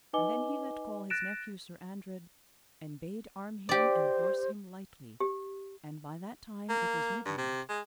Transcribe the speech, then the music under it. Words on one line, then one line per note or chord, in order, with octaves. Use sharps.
And then he let call his nephew Sir Andred, and bade arm him and horse him lightly; and by that time it was midnight.
D#4 B4 D#5 G#5 D6 G7
F#6 A6 A#6 D7 E7
G4 C5 D5
G4
A#3
G2
C3
G#3